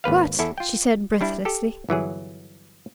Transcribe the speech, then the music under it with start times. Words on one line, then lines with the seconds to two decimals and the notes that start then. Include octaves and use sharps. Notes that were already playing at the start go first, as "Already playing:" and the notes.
"What?" she said breathlessly.
0.04 G#1 D#2 B4 F5
0.39 E2 E4 A4
0.58 F4 G5
1.21 G3 D4 E4
1.45 G4 A4
1.89 G1 E3 F#3 G#4